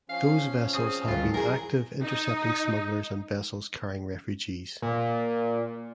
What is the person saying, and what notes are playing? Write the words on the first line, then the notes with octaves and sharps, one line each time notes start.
Those vessels have been active intercepting smugglers and vessels carrying refugees.
F3 C#4 F5
C4 G#4 D#6 D#7
D2 G2 D#3 A3 F4
F#3 E4 G#4 A#4 G#5 A#5
D#4
A#2